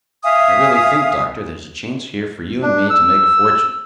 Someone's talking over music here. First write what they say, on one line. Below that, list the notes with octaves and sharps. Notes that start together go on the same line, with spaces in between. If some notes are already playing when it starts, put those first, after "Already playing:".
I really think, Doctor, there's a chance here for you and me to make a fortune.
E5 F5 G#5 D#6
D4
E6